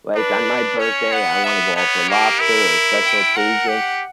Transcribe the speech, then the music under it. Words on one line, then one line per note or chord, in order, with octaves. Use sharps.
Like, on my birthday, I wanna go out for lobster, or special occasion-
D4 B4
C#4 C#5
B3 F#5
B3 E5
B3 C#5
A#3 G4
E4 A#4
G5
A#4 F#5
G4